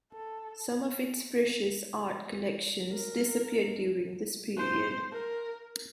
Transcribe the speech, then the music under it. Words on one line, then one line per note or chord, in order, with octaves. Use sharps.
Some of its precious art collections disappeared during this period.
A4
A#4
C5
A#4